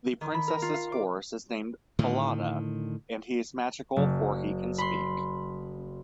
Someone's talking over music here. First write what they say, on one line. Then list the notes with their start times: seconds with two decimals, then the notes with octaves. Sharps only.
The princess's horse is named Falada, and he is magical for he can speak.
0.21 D#3
0.34 B5
0.48 A#4
0.62 F4
0.74 F5
0.92 D6
1.99 A2 D3 D#3
3.96 F#1
4.78 B5 C6